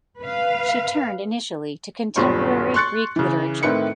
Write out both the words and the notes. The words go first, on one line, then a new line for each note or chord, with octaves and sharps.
She turned initially to contemporary Greek literature.
B4 F5
D#1 B1 G2 F4 C5 C#6
C6 C#6 F#6 A6 C#7
C#3 E3
A2 D#3 C4 E4 B4 C#7